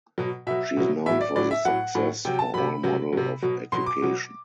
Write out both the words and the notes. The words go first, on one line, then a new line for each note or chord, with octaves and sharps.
She is known for the Success for All model of education.
B2 F#3
B2 F#3 E5
B2 F#3
A2 F#3 E5
D5
A2 F#3 D5
E5
A2 F#3 F#5
A2 F#3
C3 F#3 G5
A5
C3 F#3 B5
C3 F#3
C3 F#3
B2 F#3
B2 F#3 C6
D6
B2 F#3